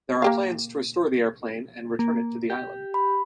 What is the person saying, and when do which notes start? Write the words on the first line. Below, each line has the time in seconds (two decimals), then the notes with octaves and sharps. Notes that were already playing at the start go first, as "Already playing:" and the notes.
There are plans to restore the airplane and return it to the island.
0.22 A#3 G4 F5
1.99 A#3
2.50 G4
2.94 B5